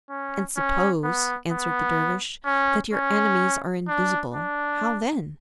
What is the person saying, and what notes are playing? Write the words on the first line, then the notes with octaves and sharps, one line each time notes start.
"And suppose," answered the dervish, "that your enemies are invisible, how then?"
C#4
C#4
B3
B3
C#4
C#4
D4
D4